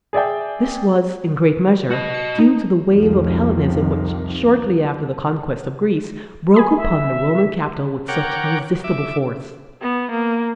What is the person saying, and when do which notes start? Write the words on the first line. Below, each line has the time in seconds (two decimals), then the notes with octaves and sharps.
This was, in great measure, due to the wave of Hellenism which, shortly after the conquest of Greece, broke upon the Roman capital with such irresistible force.
0.13 G#4 D5 E5 G5
1.91 F#4 D#5
2.14 C#7
2.39 D#4
2.89 C2 F2 C3 D#3 F3
6.54 G#5 B5 D#6
6.76 E5
8.08 A#4 C#5 F#5 G5 D6
8.84 E5 D6
9.82 B3
10.11 A#3